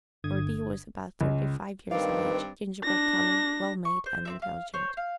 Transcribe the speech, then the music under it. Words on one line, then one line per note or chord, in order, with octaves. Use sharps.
Ordee was about thirty-five years of age, gingerbread color, well made, and intelligent.
G1 D3 D#6 G#6
C#2
G2 D#3 C4 B4 D5 F5
D4 A#6
C#6
C5
C4 D#4 E5
F5
C5 C#5
F5